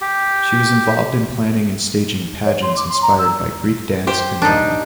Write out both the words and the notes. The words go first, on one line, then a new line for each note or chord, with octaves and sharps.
She was involved in planning and staging pageants inspired by Greek dance and drama.
G4
C#5
C6
D6
C6
A#5
E6
G4 C5
D4 D#4